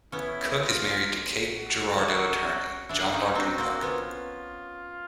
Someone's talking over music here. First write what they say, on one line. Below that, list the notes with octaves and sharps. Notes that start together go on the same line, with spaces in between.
Cook is married to Cape Girardeau attorney John Larkin Cook.
B3 C#4 E4
F4
F#4
C#4 D#4
D4 E4
C#4 D#4
C4 D4 F#4
A#3 C4
B3 C#4 F4